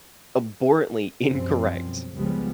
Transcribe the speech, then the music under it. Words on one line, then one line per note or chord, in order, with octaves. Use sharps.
abhorrently incorrect
B1 F#2 F3 G3 C4
B1
C#2 F3 G3 G#3 B3